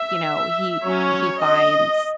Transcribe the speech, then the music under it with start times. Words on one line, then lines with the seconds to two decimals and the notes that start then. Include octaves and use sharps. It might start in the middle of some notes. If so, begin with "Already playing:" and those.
you know, he he finds
Already playing: E5
0.84 F#3 C#4 C#5
1.40 D#5